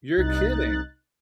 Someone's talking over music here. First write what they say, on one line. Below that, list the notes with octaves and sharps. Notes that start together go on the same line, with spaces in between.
You're kidding!
C2 D#4 F#6 A6